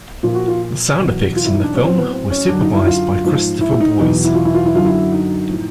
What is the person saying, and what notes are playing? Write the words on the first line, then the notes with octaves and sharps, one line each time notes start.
The sound effects in the film were supervised by Christopher Boyes.
A#2 F3 F4
F#4
F4
E2 B2 F#3
F4
E4
D#4
D4
A2 F#3 C#4
C4
B3
C4
C#4
F#2 D3 F#3 D4
D#4
E4
F4
G#2 F3
E4
D#4
E2 B2 F#3 D#4
E4
F4
E4
F4
E4
F#2 D3 F#3 F4
E4
D#4
A2 F3